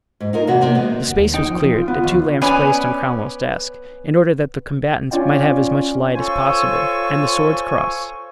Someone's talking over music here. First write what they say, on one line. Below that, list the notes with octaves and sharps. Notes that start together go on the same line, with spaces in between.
The space was cleared, the two lamps placed on Cromwell's desk, in order that the combatants might have as much light as possible; and the swords crossed.
G#2
D#4 F4 A#4
E2 C3 F#4
C3 A#3
G#3 B3
D#2
D#4 G5
F3
F4
B3
D#2
B3 C#4 B4 D5 G#5
C#4 F4 D5 G5
F4 A4 C5 C#5 G#5 C#6